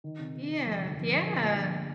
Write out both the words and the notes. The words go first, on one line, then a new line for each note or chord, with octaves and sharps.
Yeah. Yeah,
D#3
C3
C3
C3
F2
G1
A#1
A#1
F3
A#2
A#1